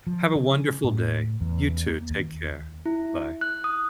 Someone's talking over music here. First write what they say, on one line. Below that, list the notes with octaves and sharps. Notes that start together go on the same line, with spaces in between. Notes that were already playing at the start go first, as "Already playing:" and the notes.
Have a wonderful day. You too. Take care. Bye.
F3
C#3
A2
E2
A#3
D#2
E4
F#6
D#6